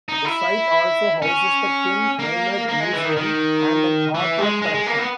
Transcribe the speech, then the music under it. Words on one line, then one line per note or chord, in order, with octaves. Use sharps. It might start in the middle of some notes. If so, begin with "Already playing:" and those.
The site also houses the Ken Maynard Museum and an artwork collection.
D#4
E4
C#4
A#3
A#3
G#3
E3
D#3
D#3
E3
G#3
G#3
G#3
A#3
B3